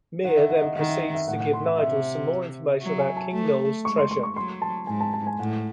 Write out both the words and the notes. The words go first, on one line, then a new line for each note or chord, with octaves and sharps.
Mir then proceeds to give Nigel some more information about King Nole's treasure.
D#3 F#5
E5
F#5
D#5
D#3 F#5
E5
D#5
E5
A2 F#5
F#5
C6
E5
C3 E5
F#3
G#5
A5
A3
G#3 C#6
C6
C6
C#6
F#3 C6
A5
G#2 G#5
A5
A5
G#5
A2 F#5